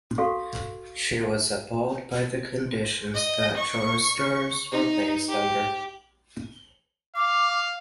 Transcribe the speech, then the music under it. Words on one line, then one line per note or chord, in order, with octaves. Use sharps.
She was appalled by the conditions that choristers were placed under.
F#4 A4 F5 C#6
D#5
C#6
D#4
G4
F5 D6